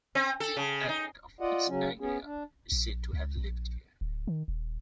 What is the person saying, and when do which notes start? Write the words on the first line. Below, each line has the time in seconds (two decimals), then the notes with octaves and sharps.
King Edmund of East Anglia is said to have lived here.
0.15 C4
0.40 A4
0.57 C#3
0.89 D#4
1.40 F4 D5 D#5 F#5
1.67 C#3 F#3 C#4
2.00 B3 C#4 G#4
2.24 D4
2.72 A#1
3.13 C#2
3.37 A#1
4.01 D1
4.27 D#3
4.48 D#1